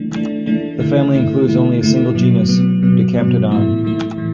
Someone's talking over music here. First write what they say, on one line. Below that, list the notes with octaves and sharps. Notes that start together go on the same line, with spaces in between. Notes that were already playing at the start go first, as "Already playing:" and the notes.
The family includes only a single genus, Dicamptodon.
Already playing: E3 A3 D4
E3 A3 D4
E3 A3 D4
D3 A3 E4
D3 A3 E4
D3 A3 E4
D3 A3 E4
B2 F#3 B3
B2 F#3 B3
B2 F#3 B3
B2 F#3 B3
A2 E3 A3 E4
A2 E3 A3 E4
A2 E3